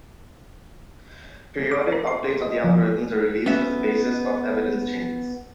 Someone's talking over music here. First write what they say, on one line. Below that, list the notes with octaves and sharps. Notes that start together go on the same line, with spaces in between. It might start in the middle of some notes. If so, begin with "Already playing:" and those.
Periodic updates of the algorithms are released as the basis of evidence changes.
D6
A#4
C6
D#5
F3
B3 C#4 F#4 E5